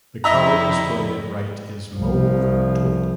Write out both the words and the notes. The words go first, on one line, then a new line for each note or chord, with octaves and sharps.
The color displayed at right is mauve taupe.
F2 G3 E4 D#5 E5 A#5
C2 F3